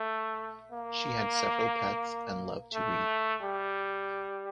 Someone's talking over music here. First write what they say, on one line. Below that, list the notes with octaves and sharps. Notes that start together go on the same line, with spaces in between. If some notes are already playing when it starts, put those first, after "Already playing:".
She had several pets and loved to read.
Already playing: A3
A#3
A3
G3